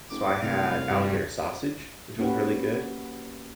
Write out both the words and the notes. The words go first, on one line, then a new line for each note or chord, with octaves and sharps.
So, I had alligator sausage, which was really good.
F#1 D6
C2 C3 A3 F5
G2
A#3 C#4 F#4 G4 B4